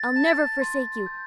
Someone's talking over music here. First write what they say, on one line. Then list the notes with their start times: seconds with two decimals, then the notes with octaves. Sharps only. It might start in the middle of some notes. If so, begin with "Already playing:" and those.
I'll never forsake you.
Already playing: A6
0.16 A5
0.62 C6
1.06 G6